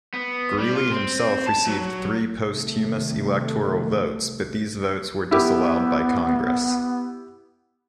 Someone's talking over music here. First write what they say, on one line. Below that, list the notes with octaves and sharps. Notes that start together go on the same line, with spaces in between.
Greeley himself received three posthumous electoral votes, but these votes were disallowed by Congress.
B3
G3
F4
C4
A5
F#3
C3 D#3 G3 A3
B3 E4 G4